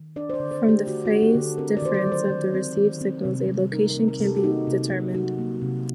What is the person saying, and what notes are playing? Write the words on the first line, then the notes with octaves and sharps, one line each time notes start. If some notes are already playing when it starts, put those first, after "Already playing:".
From the phase difference of the received signals, a location can be determined.
Already playing: D#3
D4 D5
C5
D5
D3
C5
A3
G4
D3 F#4
F#4
D4
G4
D3
A4
C4 A#4
D5
D#3 C5
D5
F#3
C5
D#3
C4
D#3
C4
C3
G3
D#4 A#4
A#4
C4
A#4
C3 A4
G4
F#4
A#3 D#4
C3
F#3
D#4 F#4
A#3
C3